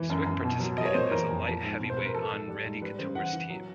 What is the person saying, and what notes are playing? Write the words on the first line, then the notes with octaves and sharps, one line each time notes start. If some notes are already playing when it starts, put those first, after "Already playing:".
Swick participated as a light heavyweight on Randy Couture's team.
Already playing: E3
F#2
F#2
B2
F#3
F#3 D#5
C#5
A#2 C5
E3 A#4
F2
F3
G#2
B2
C5
B2 B4
A#4
F3 A4
G#2
G3
G#2
G3 B4
C#3 C5
E3 F#5
E3
F#3